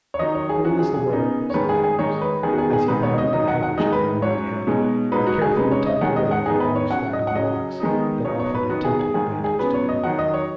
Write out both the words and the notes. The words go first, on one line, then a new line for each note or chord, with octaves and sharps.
"Cool is the word," said Adams, as he bound a handkerchief round my head, and carefully tucked away the long straggling locks that offered a tempting advantage to the enemy.
C#5
D#3 F#3 D#4 D#5
C#5
G#4
F#2 F#3 C#4 F#4
G#4
G#4
C#3 B3 D#4
C#5
D#3 G#3 C#4 B4
G#4
G#4
D#3 G#3 D#4 C#5
B4
D#3 B3 D#4 G#4
F#4
G#4
G#4
G#2 D#3 B3 D#4 B4
C#5
D#5
D#3 F#3 D#4 D#5
F#5
F#5
D#3 G#3 D#4 D#5
B4
G#2 F#3 C#4 C#5
B2 G#3 D#4
G#2 F#3 D#4 B4
F#4
G#4
C#3 G#3 D#4 B4
C#5
D#5
D#3 G#3 C#4 F#5
D#5
F#5
D#3 B3 D#4 G#4
B4
C#5
C#3 F#3 C#4 F#5
D#5
F#5
C#3 F#3 C#4 D#5
D#3 G#3 B3 D#4
B2 F#3 B3 D#4 C#5
C#5
B4
D#3 B3 D#4 F#4
G#4
G#4
G#2 D#3 G#3 G#4
G#4
C#3 F#3 B3 B4
C#5
D#5
D#3 F#3 D#4 F#5
D#5
C#5